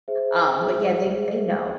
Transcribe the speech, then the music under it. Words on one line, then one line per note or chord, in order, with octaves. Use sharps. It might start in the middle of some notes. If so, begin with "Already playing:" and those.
Um, but, yeah, they they know.
G#4 C5 E5
G#4 C5 E5
G#4 C5 E5